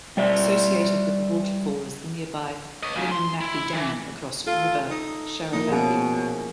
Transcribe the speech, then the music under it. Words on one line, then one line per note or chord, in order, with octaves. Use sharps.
Associated with the waterfall is the nearby Linganmakki Dam across river Sharavathi.
G3 D5 E5
C#5 D#5
G#2 C#3
C6
E4
D#3 E3
F4 A4
D#4
F3 A#3 D#4 E4
B2 C#4 G#4